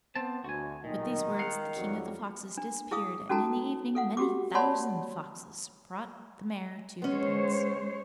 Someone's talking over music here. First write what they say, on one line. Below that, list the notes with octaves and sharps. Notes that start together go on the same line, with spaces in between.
With these words the King of the Foxes disappeared, and in the evening many thousand foxes brought the mare to the Prince.
B3 C4 C5 A5
D2 F#4 G#5
B1 A#2 D#3 D#5
F5 F#5
F2 F#3 G3
D4
E4 G#4 F5 D#6
C#4 D#4 F#4 A4 A5 A#5
A4 F5 F#5
F#4 G4 D6
C#5 D5 F#5 A5 B5 C6
G#3 B3 C#4 C5 C#5